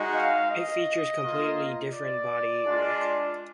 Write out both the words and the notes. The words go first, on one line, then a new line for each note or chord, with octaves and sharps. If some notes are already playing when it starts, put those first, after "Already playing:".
It features completely different body work.
Already playing: G#3 D#4 F#4
F5
D#5
A#3 F4
D5
G#3 D4 F4